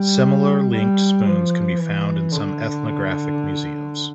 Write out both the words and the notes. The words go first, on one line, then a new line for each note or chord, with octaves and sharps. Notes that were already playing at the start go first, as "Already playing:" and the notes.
Similar linked spoons can be found in some ethnographic museums.
Already playing: G3
G3
F3
E3
D3